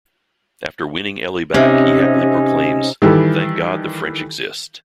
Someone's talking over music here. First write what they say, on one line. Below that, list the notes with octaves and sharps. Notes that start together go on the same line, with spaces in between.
After winning Ellie back, he happily proclaims, Thank God the French exist.
C3 C#4 D#4
D#3 E3 G3 G4 A4